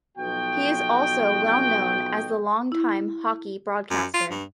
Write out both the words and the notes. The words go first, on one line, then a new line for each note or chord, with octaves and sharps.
He is also well known as a long-time hockey broadcaster.
B1 B2 F3 F#4 D#5 G5
E4
F#2
F4
G2